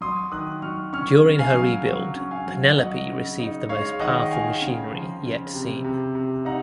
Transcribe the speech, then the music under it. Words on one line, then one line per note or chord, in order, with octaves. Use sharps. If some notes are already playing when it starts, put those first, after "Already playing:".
During her rebuild "Penelope" received the most powerful machinery yet seen.
F#3 C6 D#6
D#3 D#6 F#6
F#3 C#6 F6
C#4 C#6 F6
C#3
F5 G#5
F#3
F#3
C#4
F5 G#5
F#3
F#3 D#5 F#5
C#3
D#4
G#3 C#5 F5
D#3 D#5 F#5
G#3 F5 G#5
C#3
F3
C#3
C3
C3
C3
D#4 F#5 A#5